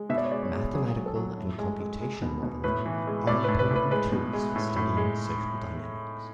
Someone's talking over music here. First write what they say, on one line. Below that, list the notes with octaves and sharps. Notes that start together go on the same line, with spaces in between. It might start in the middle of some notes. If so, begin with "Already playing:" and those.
Mathematical and computational modeling are important tools for studying social dynamics.
Already playing: G#3
B2 E5
D5
C#5
G#3 D5
C#5
G#3
F#3 G#4
F#3
A4
F#3
A2
G#3
G#3
G#3
B2
B2
A2 B4
E3
G#3
A2 D5
A2 B4
B4
A2 B4
G#3 B4
B2
G#3
A2
A2
G#3